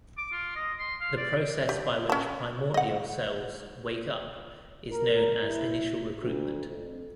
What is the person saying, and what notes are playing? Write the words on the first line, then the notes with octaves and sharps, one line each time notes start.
The process by which primordial cells 'wake up' is known as initial recruitment.
D6
F4
D#5
C6
F5
D5
G4
C#4 A5
D#5 F#5
A#4
E4
D2
F2